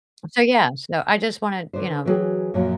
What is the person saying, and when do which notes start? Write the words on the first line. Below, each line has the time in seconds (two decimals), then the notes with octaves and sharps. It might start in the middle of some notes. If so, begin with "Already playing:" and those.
so yeah, so, I just wanna, you know,
1.73 D3 D4 B4 C5
2.05 E3 F#3 F4 F#4 G#4 G5
2.54 F#2 A#2 F3 F#3 A#3